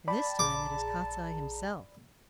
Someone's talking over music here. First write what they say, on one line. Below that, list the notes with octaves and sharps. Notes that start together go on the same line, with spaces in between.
'And this time it is Kostiei himself.
D5 G5 A5 B5
A#1 G#4 A#5 D6